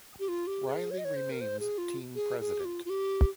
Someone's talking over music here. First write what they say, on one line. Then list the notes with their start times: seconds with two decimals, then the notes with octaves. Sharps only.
Riley remains team president.
0.20 G4
0.28 F4
0.47 G4
0.66 G#4
0.91 C#5
0.98 D#5
1.05 C#5
1.16 C5
1.32 A#4
1.41 C5
1.60 G#4
1.78 F4
2.15 G#4
2.40 G#4
2.60 G4
2.65 F4
2.85 F4
2.90 G4